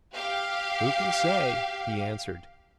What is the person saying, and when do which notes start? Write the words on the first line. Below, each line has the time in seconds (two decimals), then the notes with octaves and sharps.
"Who can say?" he answered.
0.13 G4 F5